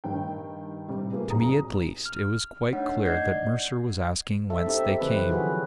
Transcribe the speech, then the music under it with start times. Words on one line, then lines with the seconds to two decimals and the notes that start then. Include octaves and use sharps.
To me, at least, it was quite clear that Mercer was asking whence they came.
0.04 G2 D#3 G5
0.88 A2 C3 G3
1.12 A3 A#3 F4 G#4 B4
1.30 B1 F2 G#4 A#5 D#6
2.06 F6
2.73 A3 D4 D#4 C#5 F#5
3.05 D5 D#5 F#5 G6 G#6 C7
4.50 A4 E5
4.66 C4 D#4 G4 E5
5.00 C#3 E3 C4 A4 B4
5.29 D#3 F3 F#3 F#4 G#4 B4